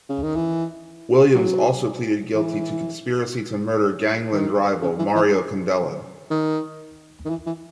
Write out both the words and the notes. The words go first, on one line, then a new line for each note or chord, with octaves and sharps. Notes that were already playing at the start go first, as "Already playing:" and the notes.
Williams also pleaded guilty to conspiracy to murder gangland rival Mario Condello.
C#3
D#3
E3
F#3
E3
D#3
C#3
E3
E3
D#3
D#3
E3
E3